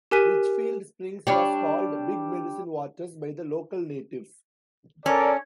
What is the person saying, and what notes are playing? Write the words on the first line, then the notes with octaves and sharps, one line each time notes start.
Richfield Springs was called "Big Medicine Waters" by the local natives.
G4 A#4 G#5 F#6 B6 D#7
G3 D4 G4 C#5
C#4 A4 A#4 D5